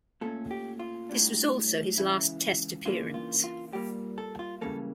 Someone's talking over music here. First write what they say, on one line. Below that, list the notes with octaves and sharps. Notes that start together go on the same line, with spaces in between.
This was also his last test appearance.
A#2 A3 C#4 A4
G4
F4
A2 G3 D4
C#2 C#3 E3 E4
C#3 E3 A#3 D4 F4
F4
F4
A#2 G3 A#3 G4
A4
F4
C#2 C#3 E3 G3 A#3 A4